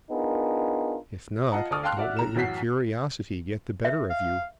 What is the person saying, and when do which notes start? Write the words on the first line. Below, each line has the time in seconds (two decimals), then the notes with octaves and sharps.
If not, don't let your curiosity get the better of you.
0.11 B3 D4 D#4 F4 G#4 A#4
1.52 F4 D#5 F#5 A5 A#5
1.71 D2 D5 A5 C#6 D#6 F6
1.83 F5 G5 A5 C6 F6 F#6
1.97 F#4 D5 E5
2.17 A2 A#5 E7
2.35 A1 F#2 F#4 B6 C7
3.85 E5
4.10 F5